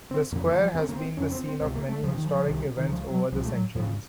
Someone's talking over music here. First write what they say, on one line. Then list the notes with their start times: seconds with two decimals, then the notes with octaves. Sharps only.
The Square has been the scene of many historic events over the centuries.
0.11 C4
0.32 F2 C#3 A#3
0.46 A#3
0.55 D#3
0.60 F3
0.74 D#2 C#3 C4
0.89 A#3
0.96 C4
1.17 F2 C#3 C#4
1.32 C4
1.45 C4
1.60 C#2 C3 C4
1.75 A#3
1.89 A3
2.03 D#2 F3
2.07 C#3
2.15 D#3
2.25 F3
2.35 F3
2.46 C2 C3 D#3
2.77 D#3
2.88 C#2 F3
2.92 C#3
3.11 F#3
3.32 C2 F3
3.35 A#2
3.45 A3
3.53 F#3
3.75 D#2 F3
3.80 C#3